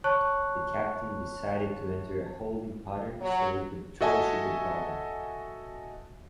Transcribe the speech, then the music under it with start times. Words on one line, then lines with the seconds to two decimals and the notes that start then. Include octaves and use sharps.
The captain decided to enter a holding pattern so they could troubleshoot the problem.
0.04 C#5 A5 C#6 F#6
3.20 F#3
4.01 F#4 A4 D#5 E5 G#5 A5